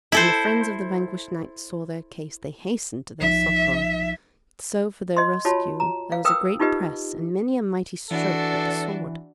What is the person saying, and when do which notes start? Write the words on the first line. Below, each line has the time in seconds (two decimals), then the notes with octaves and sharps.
When the friends of the vanquished knights saw their case, they hastened to their succour; so for their rescue there was a great press, and many a mighty stroke with the sword.
0.12 E4 A4 C5
3.21 B1 F3 D#4 E5
5.17 D#5 C6
5.45 F4 F#4 C#5 A5 B5
5.80 A#5
6.12 F5
6.25 A#4 B4 G5 D#6 E6
6.60 D#4 F4 G4 B4 D#5
8.11 E3 D4 F#4 A4